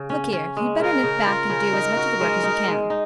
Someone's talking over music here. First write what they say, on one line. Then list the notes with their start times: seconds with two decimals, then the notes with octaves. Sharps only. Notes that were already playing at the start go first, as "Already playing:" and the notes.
Look here, you'd better nip back and do as much of the work as you can.
Already playing: C#3
0.10 C#4
0.33 C#4
0.57 G#3
0.80 C#3 A#4
1.04 C#3
1.27 F4
1.50 C#3
1.73 D#4
1.97 F#4
2.21 G#3
2.43 D#4
2.68 G#3
2.90 D#4